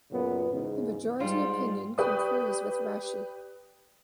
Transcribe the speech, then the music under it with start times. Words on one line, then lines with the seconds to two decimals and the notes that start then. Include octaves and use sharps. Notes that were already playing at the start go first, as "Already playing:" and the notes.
The majority opinion concurs with Rashi.
0.12 F#2 A#2 C#3 B3
0.52 E2 G#2 C#3
1.20 G#2 G3 F4
1.98 G4 B4 D5 C#6 D#6